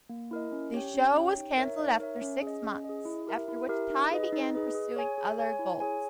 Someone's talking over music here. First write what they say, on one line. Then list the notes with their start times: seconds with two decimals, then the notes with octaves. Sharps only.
The show was cancelled after six months, after which Ty began pursuing other goals.
0.09 A#3
0.31 E4 A#4 D#5
0.52 C#4
0.74 G4 C#5 G5
0.94 C#4
1.16 G4 C#5 G5
1.37 D#4
1.58 A#4 C#5 E5
1.79 D#4
2.00 A#4 C#5 E5
2.21 C#4
2.42 G#4 D#5
2.64 C#4
2.84 G#4 D#5
3.05 E4
3.27 G4 A#4 E5
3.48 E4
3.69 G4 A#4 E5
3.90 D#4
4.11 G#4 B4 D#5
4.32 D#4
4.54 G#4 B4 D#5
4.74 G#4
4.96 C#5 G#5
5.18 G#4
5.39 C#5 G#5
5.59 E4
5.80 G#4 C#5 G#5